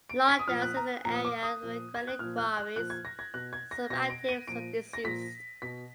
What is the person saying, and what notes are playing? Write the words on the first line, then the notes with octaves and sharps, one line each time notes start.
Longdowns is in an area of granite quarries, some active some disused.
D7
B6
D#6
A#2 F3 F6
F#6
A#5
A#2 F3 A#5
D#6
D6
D#6
A#2 F3
G#6
F#6
A#2 F3 F6
F#6
F#6
A#2 F3 F#6
G#6
A#6
G#6
B2 F#6
G#6
A#6
B2 A#6
D7
D#7
A#2 F3 D7
A#6
A#2 F3 B6
B2 B6